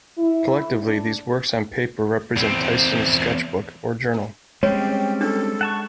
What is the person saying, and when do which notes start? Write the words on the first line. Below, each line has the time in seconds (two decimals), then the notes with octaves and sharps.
Collectively these works on paper represent Tyson's sketchbook or journal.
0.18 E4
0.82 D4
2.36 E2 C4
4.63 G3 G#3 C4 C#4 C#5 G5
5.21 D4 A4
5.61 F#5 A5 C#6